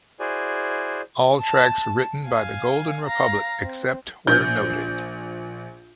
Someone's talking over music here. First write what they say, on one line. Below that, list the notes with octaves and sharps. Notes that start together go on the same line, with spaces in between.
All tracks written by The Golden Republic, except where noted.
E4 F#4 G#4 C5 D5 G#5
A5
F5 G#5
F5 A#5
C4
A#1 G6